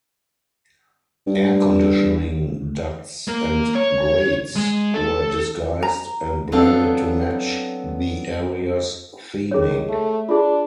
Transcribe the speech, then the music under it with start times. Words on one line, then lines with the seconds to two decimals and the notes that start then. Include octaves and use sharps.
Air conditioning ducts and grates were disguised and blended to match the area's theming.
1.27 G2
3.28 A#3 A#4
3.75 C#5
4.56 G#3
4.94 A4
5.83 A#5
6.52 F#3 B3 C4 D4 A4 F5
9.51 D#3 G#4 C#5
9.89 A3
10.29 D4 F4 G#4